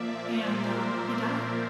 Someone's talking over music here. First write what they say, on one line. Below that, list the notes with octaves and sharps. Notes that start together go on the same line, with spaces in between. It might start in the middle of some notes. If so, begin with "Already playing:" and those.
and, um, he died.
Already playing: A#2 F3 A#3 D5 E5
C5
A#4